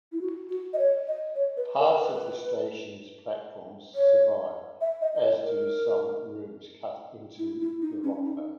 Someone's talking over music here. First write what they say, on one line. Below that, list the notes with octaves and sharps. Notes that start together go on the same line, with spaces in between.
Parts of the station's platforms survive, as do some rooms cut into the rockface.
E4
F#4
F#4
D#5
C#5
D#5
C#5
B4
A#4
A#4
B4
C#5
E5
D#5
D#5
C#5
A#4
E4
E4
D#4
C#4
D#4